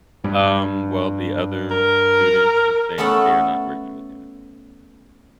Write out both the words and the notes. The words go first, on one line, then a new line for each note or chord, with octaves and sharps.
Um, well, the other students was saying that they are not working with him.
G2
A#4
A3 B3 C#4 A4 F#5